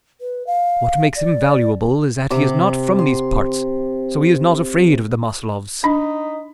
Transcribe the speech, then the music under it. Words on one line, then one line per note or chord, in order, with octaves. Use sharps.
What makes him valuable is that he is not from these parts, so he is not afraid of the Maslovs.
B4
F5
D5
C3 D6
C6
D4 D#4 B5